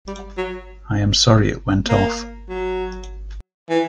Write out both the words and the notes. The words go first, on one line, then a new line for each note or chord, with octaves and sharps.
I am sorry it went off.
G3
F#3
A#3
F#3
E3